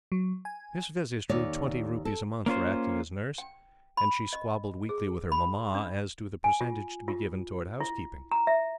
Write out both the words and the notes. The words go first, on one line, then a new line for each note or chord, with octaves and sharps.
Miss Vezzis drew twenty rupees a month for acting as nurse, and she squabbled weekly with her Mamma as to the percentage to be given towards housekeeping.
F#3
G#5
D#2 C#5 D5
A4
A#3 C#4 F4 C5
G5
B5
D#5
G#4
B5
D4
G#5
F4
F4
E4
A#5
E5